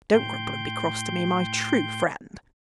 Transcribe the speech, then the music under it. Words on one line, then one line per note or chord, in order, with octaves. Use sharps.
Don't grumble and be cross to me, my true friend.
A2 G5 C6 G6